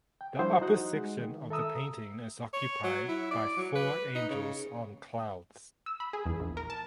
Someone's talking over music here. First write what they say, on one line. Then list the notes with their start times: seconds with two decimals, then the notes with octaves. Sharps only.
The upper section of the painting is occupied by four angels on clouds.
0.21 G5
0.39 F3 G3 D4 E4 C5
0.61 D#4 F#4 D#5 F#5
0.95 G#3
1.19 D#3
1.50 A4 E5 A#5 D#6 E6
2.53 C#5
2.84 F#3
3.08 E4
3.31 D5
3.57 F#3
3.75 B4
4.15 D#4
4.30 C#3
5.86 E6
6.00 B5
6.13 G#4
6.26 E2
6.40 A#1
6.57 A#4
6.70 A5